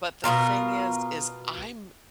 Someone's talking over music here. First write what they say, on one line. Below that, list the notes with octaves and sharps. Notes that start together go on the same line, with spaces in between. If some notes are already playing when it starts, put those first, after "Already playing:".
but the thing is, is I'm
B2 F3 F4 A#4